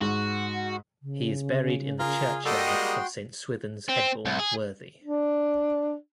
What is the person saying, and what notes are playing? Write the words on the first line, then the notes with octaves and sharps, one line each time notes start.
He is buried in the churchyard of Saint Swithun's Headbourne Worthy.
G#2 F#4
C#3
F4 G#4 A#4
G3 A#3 F#4 A4 D#5 G5 C6
G#3
C4
C2
G#4
D4